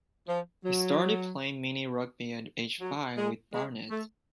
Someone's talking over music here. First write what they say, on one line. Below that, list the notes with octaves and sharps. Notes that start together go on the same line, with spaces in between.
He started playing mini rugby at age five with Barnet.
F3
F#3
F#3
G#3
G#3
A3